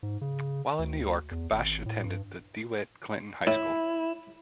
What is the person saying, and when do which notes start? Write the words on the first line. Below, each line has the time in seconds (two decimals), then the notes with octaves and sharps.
While in New York, Basch attended the De Witt Clinton High School.
0.03 G#2
0.21 C#3
0.79 D2
1.31 E2
1.51 G#1
1.86 A2
2.05 G2
3.47 A2 E4